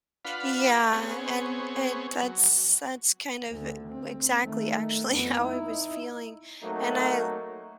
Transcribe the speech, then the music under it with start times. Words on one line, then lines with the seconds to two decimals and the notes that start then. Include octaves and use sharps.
Yeah, and it that's that's kind of e exactly actually how I was feeling. And I
0.25 D4 F4 B4 F5 F#5 B5
0.93 B3 C4 G#4 C#5
2.22 F#3
3.48 D2 D3
3.89 C4
4.42 D#3 A3
5.07 F2 B3
5.39 D#4 E4
6.62 F#3 A3 A#3 C4 D#4